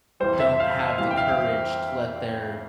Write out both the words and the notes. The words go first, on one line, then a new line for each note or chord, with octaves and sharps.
don't have the courage to let their
F2 E3 G3 C5
E5
F5
F5
F2 E3 G3 F5
G5
F5
F5